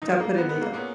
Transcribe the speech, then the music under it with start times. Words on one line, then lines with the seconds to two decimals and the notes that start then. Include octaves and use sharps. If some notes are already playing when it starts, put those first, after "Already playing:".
So I'll put in the oh.
0.02 G#1 G2 G3 D#4
0.20 A#3
0.38 B3
0.49 B3
0.61 A#3
0.73 A#2 A#3 B3 C#4 G#4